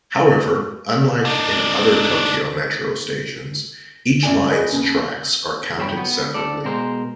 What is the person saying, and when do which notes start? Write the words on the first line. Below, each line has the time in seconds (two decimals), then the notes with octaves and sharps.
However, unlike in other Tokyo Metro stations, each line's tracks are counted separately.
1.25 D4 D#4
4.23 F#2 D5 G#5
4.51 G#4 B4 D#5
4.72 D#2 C#3
5.78 G2 F#3 C5 G5 B5
5.97 B3
6.34 D2 A4 D5
6.65 B2 G#3 A#4 C5